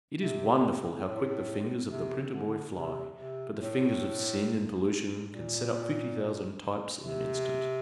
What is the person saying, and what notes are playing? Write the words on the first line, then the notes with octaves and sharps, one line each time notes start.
It is wonderful how quick the fingers of the printer-boy fly, but the fingers of sin and pollution can set up fifty thousand types in an instant.
C3
A2
C3
D3
C3
C3
A2
A#2
C3